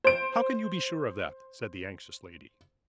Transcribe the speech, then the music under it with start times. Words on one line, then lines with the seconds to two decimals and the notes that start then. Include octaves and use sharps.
"How can you be sure of that?" said the anxious lady.
0.04 C5 D7